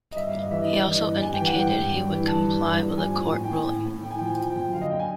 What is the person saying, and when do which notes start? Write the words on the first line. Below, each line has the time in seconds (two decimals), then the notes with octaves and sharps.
He also indicated he would comply with a court ruling.
0.12 D#5
0.16 G2 E5
0.27 F5
0.34 G2
0.40 D#5
0.51 E3 E5
0.62 D#5
0.68 G2 D5
0.83 E3 D#5
1.05 G2
1.21 G2 G#5
1.34 G5
1.40 E3
1.46 F#5
1.56 G2 G5
1.74 G2
1.92 G2
2.09 E3
2.27 G2 A5
2.45 E3
2.62 G2
2.80 G2
2.98 F3 G#5
3.15 A2
3.32 A2 G#5
3.44 G5
3.50 A2 G#5
3.68 A2
3.86 A2
4.03 A2 G5
4.11 G#5
4.19 F3 G5
4.27 G#5
4.34 G5
4.37 F3 G#5
4.50 G5
4.56 F#2
4.73 D3 F5
4.81 D#5
4.90 F#2 G5
4.99 G#5